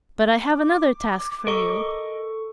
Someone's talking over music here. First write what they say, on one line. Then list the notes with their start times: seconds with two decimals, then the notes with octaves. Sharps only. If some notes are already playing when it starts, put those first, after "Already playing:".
But I have another task for you.
0.52 D6
1.47 A4 A#4 D#5 C#6